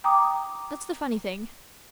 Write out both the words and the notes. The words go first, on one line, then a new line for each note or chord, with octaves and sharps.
That's the funny thing.
G5 A#5 D6 D#6